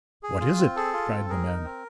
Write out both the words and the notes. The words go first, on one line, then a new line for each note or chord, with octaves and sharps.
"What is it?" cried the men.
G#4
F4
C4
G#4 A4
F4
C4
G#4 A#4
D#4
C4